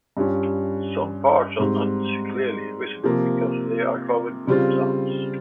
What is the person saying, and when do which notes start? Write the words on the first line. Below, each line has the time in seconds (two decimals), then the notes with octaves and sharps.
Some parts are not clearly visible because they are covered with plants.
0.17 G2 G3 C#4 F4
1.60 G#2 G3 C4
3.03 C3 F3 A#3
4.47 C#3 G3 C4 F4